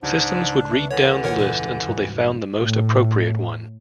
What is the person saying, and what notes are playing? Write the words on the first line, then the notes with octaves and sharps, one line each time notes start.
Systems would read down the list until they found the most appropriate one.
C#2 G#2 D4 G4 B6
B4 E5 C#6
D3 E3 C#5
E1 A#4 C#5 F#5
A#2
G#2 G3 F#4
A2